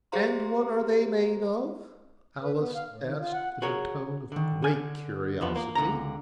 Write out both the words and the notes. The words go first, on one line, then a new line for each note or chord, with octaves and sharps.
'And what are they made of?' Alice asked in a tone of great curiosity.
G4 G#4 C5 F5 A#5 C6
B4
B3
F5
A2
D#3
F4
F#5
F#4 G#4 A#4 C#5
D3 D#3
D3 G#5
E2 F3 B3
A#3
C#2 D3 A#5